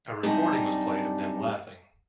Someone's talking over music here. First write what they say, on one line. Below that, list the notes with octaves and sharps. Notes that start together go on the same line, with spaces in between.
A recording was played of them laughing.
F#2 C3 G3 D4 D#4